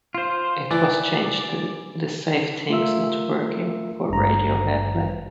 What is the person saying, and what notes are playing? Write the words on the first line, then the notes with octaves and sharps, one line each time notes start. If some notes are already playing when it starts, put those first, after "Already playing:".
It was changed to "This safe thing's not working" for radio airplay.
F4 C5
E3 D5
A3 F4 A#4 E5 E6
G#1 G2 A#5